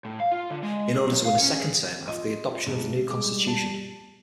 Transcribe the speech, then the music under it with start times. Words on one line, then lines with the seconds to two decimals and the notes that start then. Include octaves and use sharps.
In order to win a second term after the adoption of the new constitution.
0.05 A2
0.20 F5
0.32 F4
0.50 D3
0.63 G#3
0.95 G#4
1.10 F#3
1.25 F5
1.39 C#4
1.60 G#4
2.08 F4 D#5 D#7
2.67 B1 G#3
3.09 G3 G#3 D6
3.47 A5